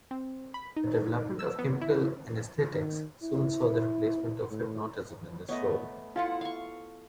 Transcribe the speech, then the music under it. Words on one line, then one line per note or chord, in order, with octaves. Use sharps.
The development of chemical anesthetics soon saw the replacement of hypnotism in this role.
C4
B5
D#4
E6
B3
E4
D#3
E4
A2
A3 B3 C#5 D#5
E4 F4 A4 F#5
F5 C#6